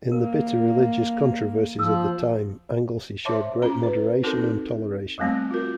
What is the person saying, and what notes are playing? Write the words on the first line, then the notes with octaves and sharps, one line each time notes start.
In the bitter religious controversies of the time Anglesey showed great moderation and toleration.
A#3 A#4
F3 D#6 E6
C5 C#5 E5 A5 C6 D6
C#4 F4 A#5
B4
C4 D#4 F#4 A4 A#4
F3 G3 A3 B3 C4
F4 F#4 A#4